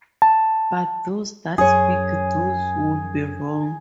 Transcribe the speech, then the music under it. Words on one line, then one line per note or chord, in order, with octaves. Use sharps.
But those that speak thus would be wrong.
A5
F#2 G#4 C#5